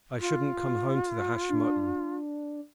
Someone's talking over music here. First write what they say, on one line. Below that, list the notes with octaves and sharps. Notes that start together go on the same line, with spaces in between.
I shouldn't come home to the hashed mutton.
F4
D4